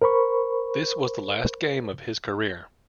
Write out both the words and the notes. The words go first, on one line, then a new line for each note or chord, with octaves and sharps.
This was the last game of his career.
A#4 C5 B5 C#6